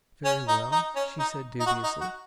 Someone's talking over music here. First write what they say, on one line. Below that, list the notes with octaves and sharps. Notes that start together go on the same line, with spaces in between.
"Very well," she said dubiously.
C#4
D#4
D#4
C#4
D#4
D#4
F#4
D#4
F#4